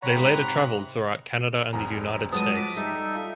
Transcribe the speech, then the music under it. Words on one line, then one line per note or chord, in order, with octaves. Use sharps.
They later traveled throughout Canada and the United States.
C#5 F#5 G5 A#5 B5
G#2 C3
F1 F2 A#5
F3 F#3 G#3 B4 A5 D#6 D#7
D6 A#6 B6
G3 D#4 A4 E5
F4